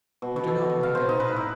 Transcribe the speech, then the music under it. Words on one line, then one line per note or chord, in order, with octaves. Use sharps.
You do not need any help.
B2
B2
A4
D#5
F5
C5
D#4
B4
E4